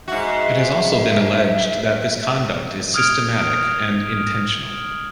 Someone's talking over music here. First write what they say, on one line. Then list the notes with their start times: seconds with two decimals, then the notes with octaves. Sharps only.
It has also been alleged that this conduct is systematic and intentional.
0.08 G#2 F#4 E5
2.94 D#6 F6 G#6 D7 F7